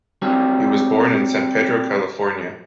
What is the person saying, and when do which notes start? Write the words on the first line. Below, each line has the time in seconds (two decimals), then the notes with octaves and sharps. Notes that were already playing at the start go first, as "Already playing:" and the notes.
He was born in San Pedro, California.
0.22 F#3 G3 C4